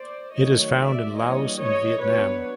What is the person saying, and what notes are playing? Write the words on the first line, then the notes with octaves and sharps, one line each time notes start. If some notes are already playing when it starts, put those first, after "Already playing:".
It is found in Laos and Vietnam.
Already playing: C5 D5
D#3 F#3 A3 C#5 D#5
D5 E5
E3 G3 A#3 D4 C#5 D#5
C#5 D#5
F#3 B3 D4 B4 C#5